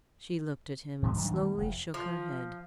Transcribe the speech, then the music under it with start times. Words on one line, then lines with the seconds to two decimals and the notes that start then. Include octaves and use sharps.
She looked at him, and slowly shook her head.
1.02 A2 D3 G#3
1.15 G2 D#3 F#3 D4
1.31 B2 D#3 G3 A3
1.57 F1 F2
1.94 F3